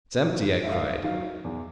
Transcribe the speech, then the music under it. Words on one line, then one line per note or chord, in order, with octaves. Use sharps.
"It's empty," I cried.
D#3 F#3
G#2 E5
F5
E5
D#3 F#3 F5
E2